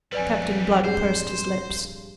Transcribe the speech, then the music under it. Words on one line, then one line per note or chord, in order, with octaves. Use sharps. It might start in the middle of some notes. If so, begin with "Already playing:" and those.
Captain Blood pursed his lips.
A#1 F2 F#3 G3 B4 D5 G#5
G2 G#3 C5